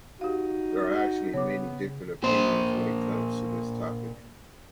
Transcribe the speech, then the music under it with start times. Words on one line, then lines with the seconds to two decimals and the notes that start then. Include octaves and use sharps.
There are actually many different opinions when it comes to this topic.
0.21 D#4 F#4 G4 F5
0.96 F#5
1.34 C#3 B3 C#5 D6
2.24 A#2 C5